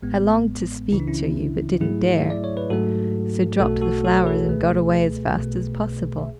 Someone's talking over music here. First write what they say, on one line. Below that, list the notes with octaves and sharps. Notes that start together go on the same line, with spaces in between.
I longed to speak to you, but didn't dare, so dropped the flowers and got away as fast as possible.
A1 A2 G#3 B3
C#2 C#3 E3 E4
D4
C#4 E4
G#2 F#3 A3 E4 G#4
E5
D5
C#5
B4
G#2 F#3 A3 F#4 A4
B1 B2 A3 F#4 A4
F#4 A4
F#4 A4
C#5
G#4 B4
C#2 B2 A3
B1 B2 A3
E5